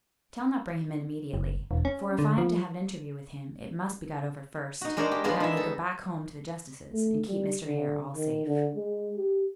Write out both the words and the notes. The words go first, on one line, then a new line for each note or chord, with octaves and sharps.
"I shall not bring him in immediately; for if I am to have an interview with him, it must be got over first, that I may go back home to the justices, and keep Mr. Hare all safe."
F#1
E1
C#4
D3
F3
D#4 F#4
G#3 D4 A#4 C5 C#5 D#5
G4
G#3 B3 D4 F4 G#4
D#4 E5
A4
A3
G3
D3
D#3
D3
G#3
G4